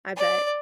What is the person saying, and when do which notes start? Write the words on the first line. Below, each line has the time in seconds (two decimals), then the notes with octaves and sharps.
I bet.
0.17 D5